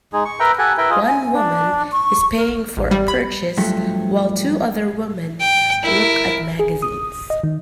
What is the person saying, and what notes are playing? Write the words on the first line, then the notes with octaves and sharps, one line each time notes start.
One women is paying for a purchase while two other women look at magazines.
G#3 D#4 G#4
C#6
A#4 B4 E5 G5 A#5
G4 A4 F#5 G#5
E4 A#4 B4 E5 G5
F4 G#4 D#5
G#5
D4
C#6
A#4
A1
G3
B5
G2 F3 F#3 A3
G5
E4 A#4
G#4
D#6
D#5
D#3